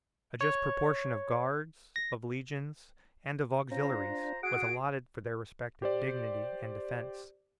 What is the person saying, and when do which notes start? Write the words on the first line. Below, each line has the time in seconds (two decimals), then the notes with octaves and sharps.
A just proportion of guards, of legions, and of auxiliaries, was allotted for their respective dignity and defence.
0.41 C#5
1.96 A#6
3.72 C#4 F4 C5 A#5
3.91 D4
4.43 F#4 G#4 F#5 D7
5.82 G4 C5 D5